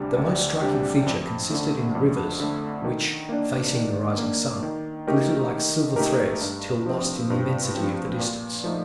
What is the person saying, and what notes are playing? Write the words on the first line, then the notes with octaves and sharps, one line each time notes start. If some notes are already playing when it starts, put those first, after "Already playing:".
The most striking feature consisted in the rivers, which, facing the rising sun, glittered like silver threads, till lost in the immensity of the distance.
Already playing: D2 C3 G3 D4 G4
D2
C3 G3 D4 G4
F2
D3 A3
F2
D3 A3
D#3
A#3 D4
D#3
A#3 D4
D#3
A3 D#4 G4 A#4
D#3
A3 D#4 G4 A#4
G2
F3 C4
G2
F3 C4
A#2
F3 A3 D#4